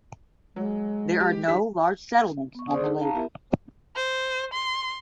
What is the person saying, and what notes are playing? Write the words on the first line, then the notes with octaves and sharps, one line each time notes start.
There are no large settlements on the lake.
F#3 G#3
G4
D#3 G3 B6
B3 C#6
G#4 C5 D5 C6 D#6
D#4 G#4
G4 F5 A5 A#5
B3 E4 G4 A#4 E5
C5
C6